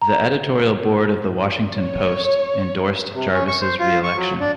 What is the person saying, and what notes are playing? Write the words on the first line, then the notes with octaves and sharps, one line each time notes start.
The editorial board of The Washington Post endorsed Jarvis' reelection.
A#5
C#5
C3
C#4
C#6
C5
F4
C#6
F#3
D4